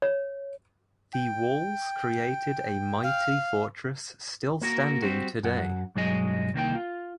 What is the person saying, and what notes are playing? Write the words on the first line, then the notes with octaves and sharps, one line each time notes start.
The walls created a mighty fortress still standing today.
C#5
G5
F5
A#3 F#4 A#4
G3 C4 F#4
F#2 F#5
B1 G2 F#3 G#3 G#4 D#5
C2 D#3 A#3 G5
F4